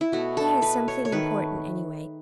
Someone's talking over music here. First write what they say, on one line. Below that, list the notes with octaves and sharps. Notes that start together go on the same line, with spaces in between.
He has something important, anyway.
E4
B2 A3 F#4
A4
B4
C#5
C#5
D#3 A3 B4